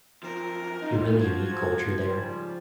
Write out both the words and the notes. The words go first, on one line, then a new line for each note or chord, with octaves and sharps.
a really unique culture there.
F#2 F3 A#4
D#4 F4
F3 G#3 F4 F#4 G#6
G#2 C#3 G3